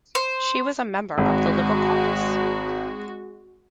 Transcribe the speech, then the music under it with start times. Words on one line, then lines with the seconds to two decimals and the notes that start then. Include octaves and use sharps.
She was a member of the Liberal caucus.
0.15 C5
1.18 G#1 G#3 F#4